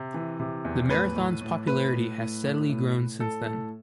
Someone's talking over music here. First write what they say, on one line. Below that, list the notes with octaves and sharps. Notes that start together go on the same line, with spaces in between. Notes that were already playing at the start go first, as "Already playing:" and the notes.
The Marathon's popularity has steadily grown since then.
Already playing: C3
E3
C3
E2
A2 B4
A2
A2
A2 B4
A2
A2
A2
A2
A2
A2 A4
A2 A4